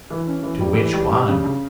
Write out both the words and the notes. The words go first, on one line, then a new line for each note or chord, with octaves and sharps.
"To which one?"
E3
C#4
E3
G3
E3
G3
G3
C#3
C#3